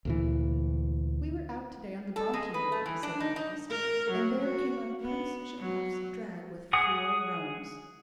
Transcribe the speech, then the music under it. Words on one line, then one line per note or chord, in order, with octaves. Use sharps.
"We were out to-day on the Brompton Road," said the eldest, "and there came up Prince Chitakov's drag with four roans."
D2 A#2 E3
A4
G#3
B4
A3
E3
D4
D#4
D#4
A#4
F#3
F#4
B3
F#3
G#4 F#5 D#6